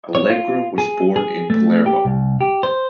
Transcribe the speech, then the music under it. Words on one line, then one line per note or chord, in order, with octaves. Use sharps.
Allegra was born in Palermo.
C#5
F4
G#4
G#4
A3
G4
C2
G4
C5